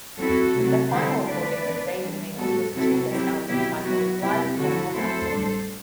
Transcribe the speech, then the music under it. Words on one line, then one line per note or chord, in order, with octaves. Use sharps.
Their final recording with David Nields was a two-disc album titled "Live From Northampton".
F#3 C4 E4 F#4 A4
C3 F#3 A3 E4
D3 G3 C4 E4 A4 C5
D3 A3 D4 B4 D5
E3 B3 D4
E3 G3 D4
A2 G3 B3 F#4 A4
C3 F#3 C4 E4 F#4 A4
F#3 C4 E4 G4
B2 F#3 B3 E4 G4
F#3 B3 E4 F#4
C3 G3 C4 E4 G4
D3 A3 E4 F#4 A4
F#3 A3 C4 E4 A4 C5
A2 G3 D4